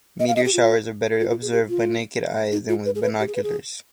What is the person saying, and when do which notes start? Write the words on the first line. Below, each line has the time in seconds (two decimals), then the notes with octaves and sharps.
Meteor showers are better observed by naked eye than with binoculars.
0.20 D#5
0.28 F5
0.36 D#5
0.45 G4
0.54 F4
1.20 F4
1.30 F4
1.42 G#4
1.52 G4
1.69 F4
2.52 D#4
2.69 F4
2.86 B4
2.95 G#4
3.03 B4
3.20 G4
3.28 G#4
3.36 B4
3.43 G#4